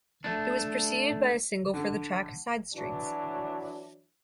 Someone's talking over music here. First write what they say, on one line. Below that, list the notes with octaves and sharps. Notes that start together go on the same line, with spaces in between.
It was preceded by a single for the track "Side Streets".
A3 D4
D3
E3 F#3 D4